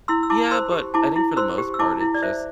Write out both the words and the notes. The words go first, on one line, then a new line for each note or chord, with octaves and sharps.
Yeah, but I think for the most part, it's just
E4 C6 E6
E6
E4 A5 D6
C5 C6 E6
G4
E4 A5 D6
E4
C5 C6 E6
G4
E6
E4 A5 D6
E4
D5
C5 E5